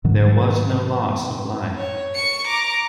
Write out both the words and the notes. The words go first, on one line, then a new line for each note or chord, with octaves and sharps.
There was no loss of life.
G#2 D#3 F#3
C#5
C#6 C#7
A#5 D6